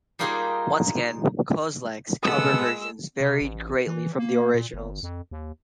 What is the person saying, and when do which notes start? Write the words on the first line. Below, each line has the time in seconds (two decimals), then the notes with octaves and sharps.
Once again, Kozelek's cover versions varied greatly from the originals.
0.19 G3 A#3 D#4 F4 G4 G#4
2.23 G#3 B3 A4 E6
3.21 C3
3.42 A1
3.87 E3
4.18 A#3
4.55 A#2
4.74 G1
5.03 F2
5.31 D#2